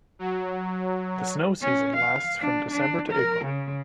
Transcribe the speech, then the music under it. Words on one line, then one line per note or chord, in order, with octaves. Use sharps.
The snow season lasts from December to April.
F#3
C#4
F5
D4
D4
A#4
C#3